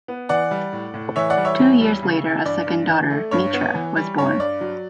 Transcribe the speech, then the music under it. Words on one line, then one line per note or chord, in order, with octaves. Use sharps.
Two years later a second daughter, Mitra, was born.
B3
E3 D5 F#5
G3
A2
A2
E3 C#5 E5
D5 F#5
G3
C#5 E5
E2
G3
C#3
E3
G2 D5
G2
E3
A3
G2 C#5
B3
E3
G3
G2 C#5
G2 D5
F#3